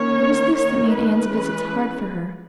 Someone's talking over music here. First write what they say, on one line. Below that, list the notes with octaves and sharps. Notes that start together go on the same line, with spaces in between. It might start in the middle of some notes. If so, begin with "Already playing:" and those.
It was this that made Anne's visits hard for her.
Already playing: D#3 A#3 C#4 C#5
D#3 A#3 D#4 C#5
B4
E3 G#3 C#4